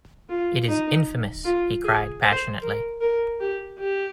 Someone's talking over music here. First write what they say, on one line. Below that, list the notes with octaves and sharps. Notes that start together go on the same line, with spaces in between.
"It is infamous," he cried passionately.
F4
D#4
F4
G#4
C5
A#4
A#4
G4
G4